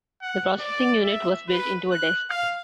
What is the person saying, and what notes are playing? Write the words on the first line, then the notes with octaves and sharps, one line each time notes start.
The processing unit was built into a desk.
F#5
D5
E5
B4
F#6
F5